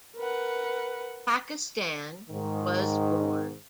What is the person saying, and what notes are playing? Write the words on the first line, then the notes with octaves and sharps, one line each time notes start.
Pakistan, was born.
A#4 B4 F#5
G#2 D#3